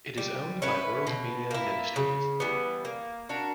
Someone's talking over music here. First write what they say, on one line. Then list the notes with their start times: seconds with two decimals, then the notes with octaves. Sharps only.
It is owned by World Media Ministries.
0.18 G3
0.62 C#4 E4 B4
1.07 B2
1.51 A#3 E4
1.96 C#3
2.40 E3 G3 B3
2.85 A#3
3.29 D4 F#4 A#4